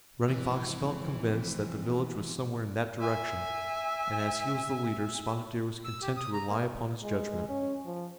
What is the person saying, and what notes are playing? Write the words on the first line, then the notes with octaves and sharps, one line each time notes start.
Running Fox felt convinced that the village was somewhere in that direction, and as he was the leader Spotted Deer was content to rely upon his judgment.
F1 G#2 E3 C4
E5 G#5
E6
G4
D#6
A#5
A#3
G#3
C#4
F3